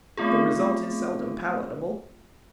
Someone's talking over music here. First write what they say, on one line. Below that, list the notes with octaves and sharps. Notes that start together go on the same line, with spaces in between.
The result is seldom palatable.
A3 B3 C4 F4 G#4